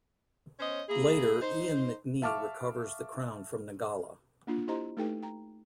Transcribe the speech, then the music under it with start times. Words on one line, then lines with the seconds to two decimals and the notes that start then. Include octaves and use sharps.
Later, Ian McNee recovers the crown from Nagala.
0.59 B3 C#4 C5 C#5 D#5
0.89 A#3 E4 G#4
1.41 D#4 C5
2.22 E5 F5 A5 C#6 D6 F6
4.47 A#3 D4 F4
4.68 E4 G4 C5 D#5 A#5 C6
4.97 A3 D#4 G4 A4 B4 G5
5.22 G5 A#5